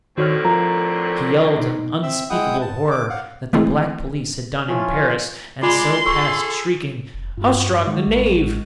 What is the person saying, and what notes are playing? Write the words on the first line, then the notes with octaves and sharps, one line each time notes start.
He yelled an unspeakable horror that the Black Police had done in Paris, and so passed shrieking, "Ostrog the Knave!"
A2 D3 D#3 C4 F#4 C#5 F6
F3 F4 A#4 A#5
B2 D#4
C4 E5
G#3 E4 F#5 G5 D#6
A5
D6
F5 F#5
E3 G#3 A3 C4 E4 G#4
F3 C#4 E4 F4
G#3 F4 D5 C6
G#4 A4 C#6
F1
G2 F4 F#4
G2
D#3 G#3
A1